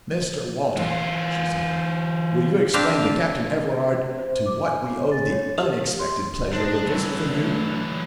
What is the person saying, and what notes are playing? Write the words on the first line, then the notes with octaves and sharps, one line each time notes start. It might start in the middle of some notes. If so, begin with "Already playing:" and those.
"Mr Walton," she said, "will you explain to Captain Everard to what we owe the UNEXPECTED pleasure of a visit from you?"
E3 F4
C4 D4 G4 D5 F5
C5
D6
G#5
A6
C#5
G4
C6
B2 D4 D#4 C5
E2 E3 F#3 G3 C#4
A3 D4